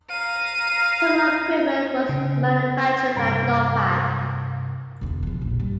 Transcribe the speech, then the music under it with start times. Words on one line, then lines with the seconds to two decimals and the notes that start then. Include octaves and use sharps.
Terminal equipment was manufactured by Norpak.
0.11 F5 A#5 D#7
2.09 C#3
3.16 C2 G2 A#4
5.01 E1 D2
5.23 C#3 F3
5.41 A#1 D#2
5.60 G2 D#3